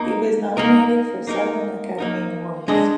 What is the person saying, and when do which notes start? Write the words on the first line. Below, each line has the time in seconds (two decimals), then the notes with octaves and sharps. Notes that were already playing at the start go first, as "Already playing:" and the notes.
He was nominated for seven Academy Awards.
Already playing: A#3 D#4 A#4
0.57 A#3 D#4 A#4
1.27 A#3 D#4 A#4
1.98 A#3 D#4 A#4
2.68 G#3 D4 G#4 D#5